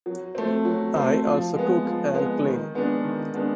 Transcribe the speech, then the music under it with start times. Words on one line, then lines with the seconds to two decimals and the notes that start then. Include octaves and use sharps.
I also cook and clean.
0.06 F#3
0.35 A3 C4
0.65 F#3
0.94 A3 C4
1.25 F3
1.55 G#3 B3
1.85 F3
2.14 G#3 B3
2.45 D#3
2.74 G#3 B3 D4
3.04 D#3
3.34 G#3 B3 D4